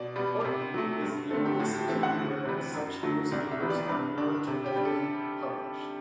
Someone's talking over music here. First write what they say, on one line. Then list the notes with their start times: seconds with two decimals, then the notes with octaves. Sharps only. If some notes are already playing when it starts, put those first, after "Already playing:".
Portland is the only city where such newspapers are known to have been published.
Already playing: B2 D5
0.16 G3 B3
0.45 C3
0.74 F#3 A3
1.02 G2
1.30 D3 A3 C4 A4
1.46 G4
1.59 A2 F#4
1.74 G4
1.88 E3 A3 C4 G4
2.03 F#5
2.17 D2
2.45 C3 E3 G3
2.74 F#2
3.03 D3 F#3 A3
3.32 C2 D5
3.51 E5
3.60 C3 E3 B3
3.70 D5
3.89 G2 B4
4.18 D3 G3 D4
4.47 C3
4.66 G4
4.76 G3 D4
4.85 A4